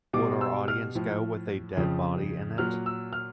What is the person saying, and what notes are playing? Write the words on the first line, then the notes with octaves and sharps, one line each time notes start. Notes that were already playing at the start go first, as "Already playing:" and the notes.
Would our audience go with a dead body in it?
B2 G3 D6
E6
F6
A2 F3
F2 C#3 F3
A#2 F#3 F6
E6
F6